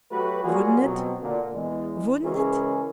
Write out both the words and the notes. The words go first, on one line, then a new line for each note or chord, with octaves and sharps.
Wouldn't it? Wouldn't it?
F#3 A3 F#4 G4 B4
F#3 G3 A#3 F4 F#4 G#4
B2 F#3 C4
A#2 D3
E2 G#3
C#3 E3 G#3 C#4 G#4 A#4